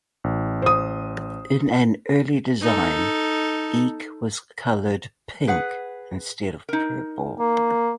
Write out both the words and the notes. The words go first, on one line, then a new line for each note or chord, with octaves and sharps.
In an early design, Eek was colored pink instead of purple.
A1
C5 D#6
D#4 A4
G#4 B4 F#5
D#4 A#4
A#3